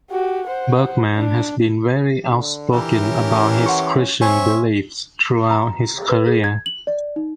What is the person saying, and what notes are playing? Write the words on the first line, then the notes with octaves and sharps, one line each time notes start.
Berkman has been very outspoken about his Christian beliefs throughout his career.
F#4 G4
C5 F#5
D4
D3
E3 G4 A#4
C#4
F#5 C6 C#6
C4 C#5 E5 G#5 C6
A#5
B4
G#4
G#6
F#7
D5
D#4